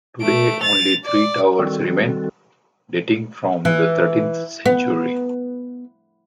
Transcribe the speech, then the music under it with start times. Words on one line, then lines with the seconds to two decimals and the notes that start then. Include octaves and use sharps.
Today only three towers remain, dating from the thirteenth century.
0.22 A3 D7
0.61 A6 F7
1.04 D5
1.59 D#3 G3 C4 F#4 A4
3.65 E3
4.66 B3